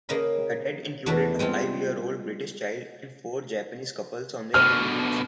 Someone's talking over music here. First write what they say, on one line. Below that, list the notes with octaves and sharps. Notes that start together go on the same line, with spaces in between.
The dead included a five-year-old British child and four Japanese couples on their honeymoons.
C#3 A#3 D#5 F5 B5
E2 A3 D4 F#4 B4 F5
G3 G#3 C4 F4
B2 D3 F6